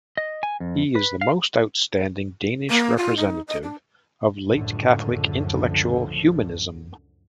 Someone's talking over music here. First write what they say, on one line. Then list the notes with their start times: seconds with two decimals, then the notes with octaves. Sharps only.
He is the most outstanding Danish representative of late Catholic intellectual humanism.
0.17 D#5
0.43 G#5
0.60 F2
0.95 B4
1.21 F5
2.70 A#3
2.97 F4
3.17 D#4
3.48 D#5
3.63 D4
4.49 C#2 F#2 A2 D3 F3